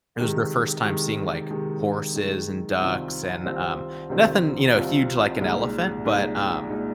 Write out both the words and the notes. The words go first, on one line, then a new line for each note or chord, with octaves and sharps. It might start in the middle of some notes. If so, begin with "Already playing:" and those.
it was their first time seeing, like, horses and ducks and, um, nothing, you know, huge like an elephant, but, um,
C3 D#3 G#3
C3 D#3 G#3
C3 D#3 G#3
C3 D#3 G#3
C2 C3 D#3 C4 F4
C2 C3 D#3 C4 F4
C2 C3 D#3 C4 F4
C2 C3 D#3 C4 F4
C2 A#2 G#3 D#4
C2 A#2 G#3 D#4
A#2 G#3 D#4